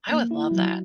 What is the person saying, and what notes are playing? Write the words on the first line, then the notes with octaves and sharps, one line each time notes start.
I would love that.
A#3
E4
F#3